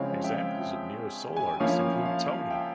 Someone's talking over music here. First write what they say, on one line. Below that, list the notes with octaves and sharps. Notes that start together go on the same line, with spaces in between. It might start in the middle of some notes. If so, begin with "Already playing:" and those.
Examples of neo soul artists include Tony!
Already playing: C#3 F3 G#3 C4 E4 C#5 F5
E5 G5
G#5
G5
F3 A#3 C#4 E4 C#5 F5
C#5 F5
E5 G5